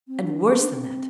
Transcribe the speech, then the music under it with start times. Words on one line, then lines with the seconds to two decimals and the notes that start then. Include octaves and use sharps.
And worse than that!
0.08 C4
0.23 D4
0.52 C4
0.61 D4
0.69 C4